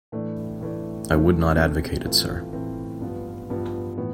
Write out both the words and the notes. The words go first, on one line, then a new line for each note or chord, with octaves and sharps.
I would not advocate it, sir.
A2 E3 A3 D4
A2 E3 A3 D4
B2 A3 C4
B2 A3 C4
A2 E3 A3 C4 F4
A2 E3 A3 C4 F4
G2 F3 B3 F4
G2 F3 B3 F4
A2 E3 B3